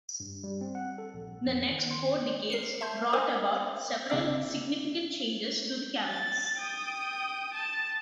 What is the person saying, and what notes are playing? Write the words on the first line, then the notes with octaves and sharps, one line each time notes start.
The next four decades brought about several significant changes to the campus.
G2
G3
C4
F#5
A4
A#1
F2
D#3
C6
A#4 C7 C#7
E5 A5 C6 G6
A#4 C5 G#5 C6 D6
G1 C#3 C4 D4 D6 E6
A6
G5 D#6
A5